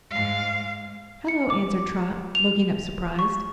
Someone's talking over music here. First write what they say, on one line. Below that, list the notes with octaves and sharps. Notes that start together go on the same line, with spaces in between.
"Hello," answered Trot, looking up surprised.
G#2 F5
C#7
D6
F7
C#6